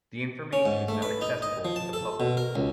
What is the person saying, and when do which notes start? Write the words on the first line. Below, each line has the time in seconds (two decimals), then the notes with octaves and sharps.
The information is not accessible to the public.
0.53 C#4
0.66 G#2
0.88 A3
1.02 B4
1.22 D#4
1.42 D#5
1.65 F3
1.76 A5
1.93 A4
2.20 B2
2.37 A#4
2.56 C#2